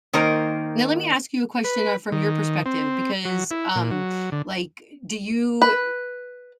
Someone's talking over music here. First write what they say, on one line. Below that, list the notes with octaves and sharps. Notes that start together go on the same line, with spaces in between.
Now, let me ask you a question, uh, from your perspective because, um, like, do you eh
D#3 A#3 D#4 A#4 C5
B4
D#3
C4
F#3
E4
A#2
F#3
D3
B4